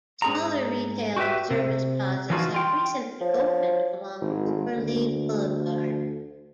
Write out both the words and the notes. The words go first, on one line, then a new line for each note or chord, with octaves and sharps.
Smaller retail and service plazas have recently opened along Overlea Boulevard.
G#2 G#4 A#5
F#4 G4 A#4 B4 E5
C3
E3 F3 D#4 F4 F#4
F4 G5
F3 C#5
G#1
D2